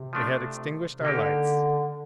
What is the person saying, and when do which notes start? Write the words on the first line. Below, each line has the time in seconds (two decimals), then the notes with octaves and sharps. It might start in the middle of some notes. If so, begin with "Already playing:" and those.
We had extinguished our lights.
Already playing: C3
0.13 F3 A3 D4
1.01 C3
1.04 D3 A#3 D#4 G4